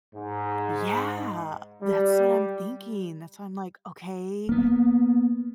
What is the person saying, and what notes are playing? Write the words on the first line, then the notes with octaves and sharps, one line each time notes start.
Yeah, that's what I'm thinking. That's why I'm like, "Okay."
G#2
G3
A#3 B3